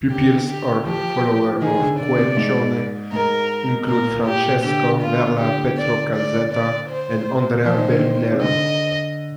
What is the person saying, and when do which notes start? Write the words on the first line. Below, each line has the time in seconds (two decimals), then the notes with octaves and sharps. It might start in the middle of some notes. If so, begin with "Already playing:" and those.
Pupils or followers of Squarcione include Francesco Verla, Pietro Calzetta, and Andrea Bellunello.
0.10 D3 G4
0.49 G4
0.86 F3 G4
1.62 D#3 G#4
1.81 D3
1.99 D3 D5
2.18 C3
2.37 G#2
3.12 G#2 A#4
3.88 A#2 A#4
4.26 G4
4.63 D3 G4
5.01 F4
5.39 D3 G4
5.77 D5
6.15 D5
6.53 D5
6.90 C5
7.65 F3 C5
7.77 D#3
7.88 D3
7.99 D#3
8.32 C3
8.42 D3 D#5